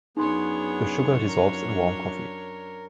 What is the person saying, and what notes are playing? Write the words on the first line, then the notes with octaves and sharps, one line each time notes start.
The sugar dissolves in warm coffee.
F#2 B3 D4 D#4 G#4 C#5 C6
A#4